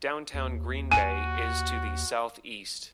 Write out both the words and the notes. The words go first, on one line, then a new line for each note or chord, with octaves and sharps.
Downtown Green Bay is to the southeast.
D#2
F#4 G#5 D#7